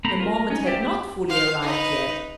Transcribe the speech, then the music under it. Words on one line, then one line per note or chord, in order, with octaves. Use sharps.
The moment had not fully arrived yet.
A3 C4 C5 A#5 B5
F4 A#4
A#4
C#4 D#4 C#5
G4 D5 E5 G5
C5 B5
C5 F5
D#4 B4